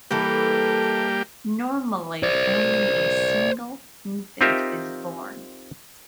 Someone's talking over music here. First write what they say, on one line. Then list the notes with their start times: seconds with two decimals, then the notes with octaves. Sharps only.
Normally, only a single infant is born.
0.11 E3 G3 A#3 G4 A4 B4
2.23 C5 D5
4.41 C4 D#4 F4 G4 A#4 E5